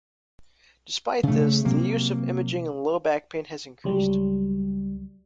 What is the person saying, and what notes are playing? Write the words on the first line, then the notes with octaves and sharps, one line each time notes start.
Despite this, the use of imaging in low back pain has increased.
C#3 A3
C3 F#3 A#3
C#2 F#3 G3